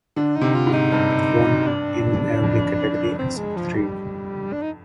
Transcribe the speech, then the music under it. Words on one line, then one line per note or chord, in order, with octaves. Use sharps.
It won in every category except three.
D3 D4
D#4
C3
F4
G#2
D#4
G2
D4
F2
C4
G#3
F3
G3
D4
D#4